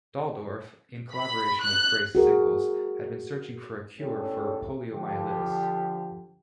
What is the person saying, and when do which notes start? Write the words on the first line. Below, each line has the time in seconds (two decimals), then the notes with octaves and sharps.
Dalldorf, in collaboration with Grace Sickles, had been searching for a cure for poliomyelitis.
1.15 B5
1.62 F#6
2.15 F#4 G#4 A#4
3.99 B1 A2 C#4 D4 G4 A4
4.92 D3 F3 G4